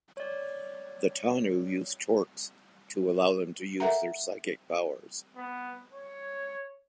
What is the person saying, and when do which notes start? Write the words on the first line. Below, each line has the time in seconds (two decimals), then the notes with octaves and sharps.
The Tanu use torcs to allow them to use their psychic powers.
0.17 C#5 D5
3.80 A4 A#4 E5 F#5 A#5
5.37 B3
5.93 C#5